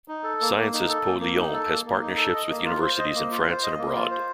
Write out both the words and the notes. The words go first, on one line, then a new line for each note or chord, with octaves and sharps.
Sciences Po Lyon has partnerships with universities in France and abroad.
D#4
A4
A#3
A#3
D#4
A4
A#3
A#3
D#4
A4
A#3
A#3
D#4
A4
D#5
A#3
F4
C5
D#5
A#3
F4
C5
D#5
A#3
F4
C5